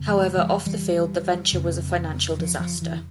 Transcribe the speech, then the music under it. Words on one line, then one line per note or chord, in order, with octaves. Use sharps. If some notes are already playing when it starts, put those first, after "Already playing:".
However off the field the venture was a financial disaster.
Already playing: F2 C#3
F3 G#3
F3 G#3
E3 G3
F2 C#3
F3
F3
E3